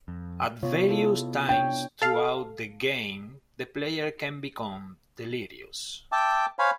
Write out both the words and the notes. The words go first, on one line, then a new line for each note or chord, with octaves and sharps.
At various times throughout the game the player can become delirious.
F2
C3 B3 F4 C#5
E4 F4 A4
D4 C#5 G5
A4 F5
E5 G5 A5 D6
C5 C#5 F5 G#5 B5